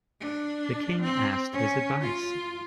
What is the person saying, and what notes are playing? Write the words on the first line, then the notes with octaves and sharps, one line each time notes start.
The king asked his advice.
D4
C4
C#4
F4